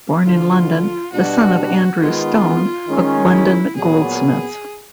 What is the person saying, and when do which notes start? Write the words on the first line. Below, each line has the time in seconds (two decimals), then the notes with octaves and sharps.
Born in London, the son of Andrew Stone, a London goldsmith.
0.24 D2 D3 F3 F4
1.13 B2 G3 B3 D4 F#4
2.00 D#3 G#3 B3 F4
2.88 D#3 G#3 C#4
3.32 E4
3.76 A#2 F#3 B3 G#4